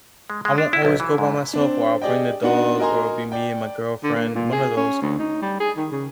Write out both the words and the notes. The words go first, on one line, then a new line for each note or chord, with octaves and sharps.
I won't always go by myself or I'll bring the dog or it'll be me and my girlfriend, one of those,
G#3
G#3
D4
E4
B1
E3
G#2
C4 D4
G4 G#4 D5 D#5 G5
B3 D4 D#4 F#4 F#5
F#4 A#4 D#5 G#5 A#5 C6
D5 G5
D3
A#3
A#2
G#4
C#4
D2
D#4
G3
G#4
D#3
C#3